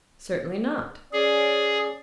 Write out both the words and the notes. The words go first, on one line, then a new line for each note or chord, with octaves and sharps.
Certainly not.
C#4 G#4 D5